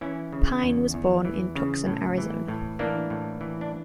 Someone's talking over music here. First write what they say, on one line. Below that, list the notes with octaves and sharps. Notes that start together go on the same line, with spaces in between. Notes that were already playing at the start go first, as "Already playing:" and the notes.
Pine was born in Tucson, Arizona.
E3 C#4 E4
C#3
E2
E2
E3
C#3
A2
E3
A2
E3 A#3 D4
A2
E3
D4